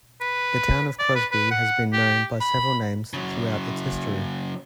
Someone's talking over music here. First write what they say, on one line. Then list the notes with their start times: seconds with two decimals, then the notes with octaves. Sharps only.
The town of Crosby has been known by several names throughout its history.
0.21 B4
0.99 D5
1.15 B4
1.31 B4
1.51 F#5
1.93 G4
2.41 B5
3.13 C#3 F#3